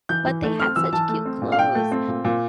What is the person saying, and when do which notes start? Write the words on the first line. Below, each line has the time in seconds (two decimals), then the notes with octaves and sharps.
But they had such cute clothes.
0.09 E3 G6
0.26 E3
0.43 A3
0.60 C4 F6
0.76 E3 E6
0.92 E3 A5
1.08 A3
1.25 C4
1.41 A#2
1.52 F5
1.58 A#2 G5
1.75 A3
1.92 C4
2.08 A#2
2.24 A#2